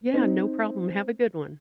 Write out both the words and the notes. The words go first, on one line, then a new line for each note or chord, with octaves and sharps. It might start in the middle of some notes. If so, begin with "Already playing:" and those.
Yeah, no problem, have a good one.
C4 D#4